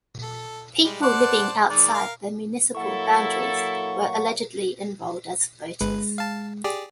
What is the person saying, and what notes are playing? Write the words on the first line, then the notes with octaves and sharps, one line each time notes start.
People living outside the municipal boundaries were allegedly enrolled as voters.
A4
G3 G#3
C5 D5 F#5 A5
D#3 G#3 D#4 D5
A#4 F5
F#3 A#3 E4 A4 F#5 C#6
G1 G#3 B4
F5 A5
G4 G#4 D5